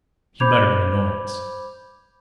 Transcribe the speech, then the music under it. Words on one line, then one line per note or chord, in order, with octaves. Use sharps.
He muttered in annoyance.
C5 B5 D6 G6 G#6 F7